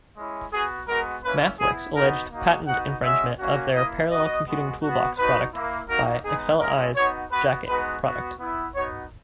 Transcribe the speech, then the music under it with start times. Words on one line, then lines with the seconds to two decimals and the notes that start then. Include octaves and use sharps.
MathWorks alleged patent infringement of their Parallel Computing Toolbox product by AcceleEyes' Jacket product.
0.17 G#3 C#4 E4
0.53 B3 F#4 G#4
0.88 G#3 B3 F#4 A#4
1.24 A#3 C#4 E4 B4
1.60 B3 E4 G#4
1.96 B3 D#4 F#4 A#4
2.32 A#3 D#4 F#4
2.67 B3 D#4 F#4 F#5
3.03 G#3 C#4 F#4 E5
3.39 A#3 C#4 F#4
3.75 A#3 E4 D#5
4.10 B3 F#4 D#5
4.46 G#3 B3 F#4
4.82 B3 F#4
5.17 B3 D#4 F#4 B4
5.53 A#3 E4
5.88 A#3 D#4 F#4 A#4
6.24 G#3 B3 D#4 G#4
6.60 G#3 C#4 E4 A#4
6.96 B3 D#4 F#4 C#5
7.32 B3 F#4 B4
7.68 G#3 B3 D#4 F#4 B4
8.03 B3 F#4
8.39 B3 E4
8.75 B3 D#4 F#4 C#5